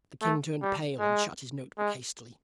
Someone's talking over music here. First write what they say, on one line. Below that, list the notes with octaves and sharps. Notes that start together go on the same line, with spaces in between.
The King turned pale, and shut his note-book hastily.
A3
G3
G#3
G#3